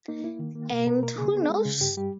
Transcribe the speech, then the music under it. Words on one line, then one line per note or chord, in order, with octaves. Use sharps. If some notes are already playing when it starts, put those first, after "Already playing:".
And who knows...?
A#3 D#4
A#3 E4
D#3
A#3
B2 A#4
B2 A#4
B4
A#3 A#4
C#3 G#4
B3
G#3
C#3
G2 G4
G3 G4